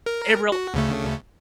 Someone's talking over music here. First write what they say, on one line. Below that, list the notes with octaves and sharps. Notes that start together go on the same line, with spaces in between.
it real
A#4
F#4
D2 C#3 A3